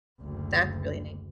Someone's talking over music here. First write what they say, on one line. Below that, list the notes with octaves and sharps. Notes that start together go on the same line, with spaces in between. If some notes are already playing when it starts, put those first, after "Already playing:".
That's really neat.
F#1 D2